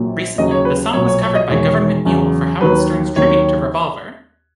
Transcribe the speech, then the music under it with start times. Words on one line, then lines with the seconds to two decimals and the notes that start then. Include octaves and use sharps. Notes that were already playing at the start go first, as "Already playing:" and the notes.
Recently, the song was covered by Gov't Mule for Howard Stern's tribute to Revolver.
Already playing: A#1 A#2 F#3
0.38 D#2 C#3 F#3 D#5
0.51 C#5
0.65 B4
0.93 B1 A#2 F#3 C#5
1.08 C#5
1.21 C#5
1.35 D#5
1.49 E1 E2 D#3 C#5
2.05 E2 C#3 F#3
2.61 D#2 D#3 F#3 B4
3.16 D#2 D#3 F#3 C#5